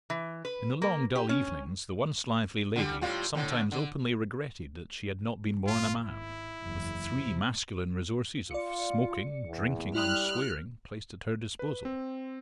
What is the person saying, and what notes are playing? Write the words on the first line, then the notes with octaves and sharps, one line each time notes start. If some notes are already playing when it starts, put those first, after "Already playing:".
In the long dull evenings, the once-lively lady sometimes openly regretted that she had not been born a man--with the three masculine resources of smoking, drinking, and swearing placed at her disposal.
E3
B4
A#3
G4
C#4
D3 G3
A2 G3 F4
A2 D3
D3
G1 F4
G#1 E4
F#1 E2
C3
F4 D5 C#7
E2
G3 E4 C6 D#6 F6 F#6
B4
C4